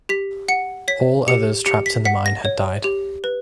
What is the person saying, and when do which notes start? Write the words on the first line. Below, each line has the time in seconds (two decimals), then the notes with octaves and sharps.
All others trapped in the mine had died.
0.09 G4 B6
0.48 F#5 C#7
0.88 C#5 B6
1.28 G4 C#7
1.66 G4 C#7
1.86 B6
2.05 F#5 B6
2.26 A#6
2.45 C#5
2.84 G4
3.24 B4